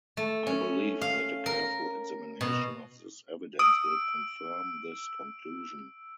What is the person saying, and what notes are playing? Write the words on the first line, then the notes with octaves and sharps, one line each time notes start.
I believe that a careful examination of this evidence will confirm this conclusion.
A3
C#4
F5
A#4
B2
D#6 E6 D7